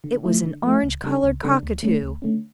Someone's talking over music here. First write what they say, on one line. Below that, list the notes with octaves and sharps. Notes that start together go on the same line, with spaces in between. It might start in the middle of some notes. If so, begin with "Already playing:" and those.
It was an orange-coloured cockatoo.
D3
F3 A3 E4
D3
F3 A3 E4
C#2
C#3 G3 D4 A4
C#2
C#3 G3 D4 A4
D2
D3 A3 C#4
D2
D3 A3 C#4